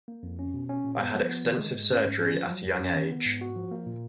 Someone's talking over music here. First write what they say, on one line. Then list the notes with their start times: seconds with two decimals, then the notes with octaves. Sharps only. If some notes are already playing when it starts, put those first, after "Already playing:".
I had extensive surgery at a young age.
0.08 A#3
0.23 F2
0.39 C#4
0.54 B2
0.69 C#4
0.84 A#2
0.99 B3
1.14 F3
1.29 B3
1.45 D#3
1.59 G#3
1.74 G#2
1.90 C#4
2.04 G#2
2.20 C#4
2.35 F3
2.51 F#3
2.65 F2
2.80 C#4
2.96 D#3
3.10 B3
3.25 G#2
3.41 F#4
3.56 F3
3.71 A#3
3.86 A#2